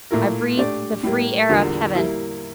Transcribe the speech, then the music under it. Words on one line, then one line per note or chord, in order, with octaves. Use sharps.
I breathed the free air of Heaven.
A#2 A3 E4 A#4
A3 D4 G4 D5
A2 G3 A#3
E2 D3 G3 A#3 F4
G3 A#3 E4